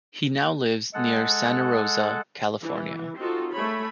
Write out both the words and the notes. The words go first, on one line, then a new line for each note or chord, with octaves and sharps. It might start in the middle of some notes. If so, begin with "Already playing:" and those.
He now lives near Santa Rosa, California.
G#3 A4 F#5
E3
C4 D#4 F4 F#4 A4
A3 G#4 C#5 B5